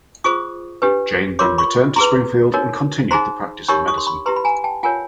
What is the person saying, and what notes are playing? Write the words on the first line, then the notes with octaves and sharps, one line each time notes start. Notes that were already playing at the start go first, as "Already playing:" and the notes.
Jayne then returned to Springfield and continued the practice of medicine.
F4 G#4 C5 C#6 D#6
D4 G4 B4
F4 A#4 C#5 C6 D6
B5 C#6
E4 G#4 B4 A#5 C6
D#4 F#4 A#4 C#5
D#4 G#4 C5 A#5 C6
D#4 G4 A#4 C#5 B5 C#6
C#6 D#6
C6
B5 C#6
E4 G4 B4 A#5 C6
B5
G#5 A#5
G5 A5
F4 A#4 C#5 F#5 G#5